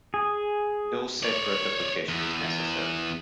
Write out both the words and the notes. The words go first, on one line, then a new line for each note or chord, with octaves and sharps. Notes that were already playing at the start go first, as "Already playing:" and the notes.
No separate application is necessary.
G#4
C#5 D5
E2